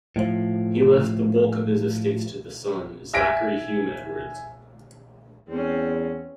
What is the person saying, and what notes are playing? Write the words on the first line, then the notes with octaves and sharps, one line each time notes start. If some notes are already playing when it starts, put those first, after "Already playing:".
He left the bulk of his estates to the son, Zacchary Hume Edwards.
A2 F3
E5 G#5 A#6 B6 D7
E2 C4 C#4